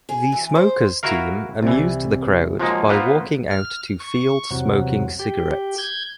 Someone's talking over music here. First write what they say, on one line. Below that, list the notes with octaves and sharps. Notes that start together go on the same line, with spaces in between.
The Smokers team amused the crowd by walking out to field smoking cigarettes.
G#4
E3
C5
E4 F#4 A#4 F5
C2 E3
F3 F#3 G#3 A#3 D#4
A#3 B3 F4 B4 C5
F6
C#6
E2 C3 F#3
G4
G6 G#6